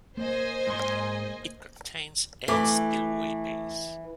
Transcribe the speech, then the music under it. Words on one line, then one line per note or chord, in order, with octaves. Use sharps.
It contains eight spillway bays.
A#3 C5 D#5 G#5
G#2 C6
E3 A3 D6